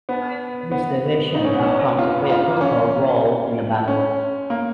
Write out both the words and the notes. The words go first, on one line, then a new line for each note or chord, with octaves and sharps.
This division would come to play a critical role in the battle.
B3
B3
D#4
C#4
B3
C#4
F4
F4
C#4
C#4
A#3